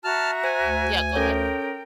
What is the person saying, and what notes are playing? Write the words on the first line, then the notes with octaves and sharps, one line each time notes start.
Yeah, go ahead.
F#4 E5 A5 A#5 F6
C5 G#5
D2
C#4 A4 A#4 C#5 G5